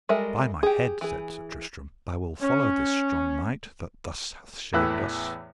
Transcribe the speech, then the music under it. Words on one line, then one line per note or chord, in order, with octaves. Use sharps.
By my head, said Sir Tristram, I will follow this strong knight that thus hath shamed us.
G3 G#3 A4 A#4 E5
G4 G#4
E3 G#4
C#4
E2 A2 E3 E4 E5 F#6